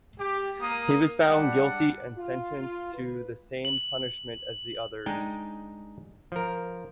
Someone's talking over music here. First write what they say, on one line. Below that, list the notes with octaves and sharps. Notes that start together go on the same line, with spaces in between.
He was found guilty and sentenced to the same punishment as the others.
G4
A#3 A#4 D#6
G3 D4 F#5
F4
B4
F#7
F#7
G#3 D4 D#4 G5
F3 A#4